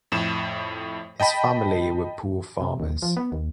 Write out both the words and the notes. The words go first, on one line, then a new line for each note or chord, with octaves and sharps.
His family were poor farmers.
F2 A2 E7
D#5 G5 A5 B5
C3
D#2
F3
B3
D#2